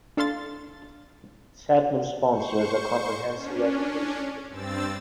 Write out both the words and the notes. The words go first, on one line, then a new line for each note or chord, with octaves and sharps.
Satmar sponsors a comprehensive education system.
D4 A4 F5 C6 A6
C5 C#6
C#4 D4
G2 C4 E6 A6